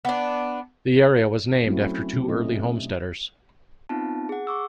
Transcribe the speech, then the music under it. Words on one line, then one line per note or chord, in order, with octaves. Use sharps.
The area was named after two early homesteaders.
B3 D4
F#3 A3 C4 C#4 E4 F#4
B2 G4
A3 C4 C#4 D#4 D#5
B3 C4 D#4 F4 A5
G#4 F#5
C#6 D6 E6